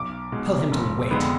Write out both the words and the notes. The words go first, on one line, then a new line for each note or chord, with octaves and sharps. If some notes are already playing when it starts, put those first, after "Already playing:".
Tell him to wait.
Already playing: B1 D6
B2 G#3
F1
F2 D3 G#3 B3